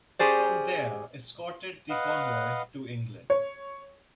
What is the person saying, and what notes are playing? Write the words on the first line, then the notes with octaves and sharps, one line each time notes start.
From there escorted the convoy to England.
C#4 G4 G#4 C5 D5
B4 D#5 F5 F#5
C#5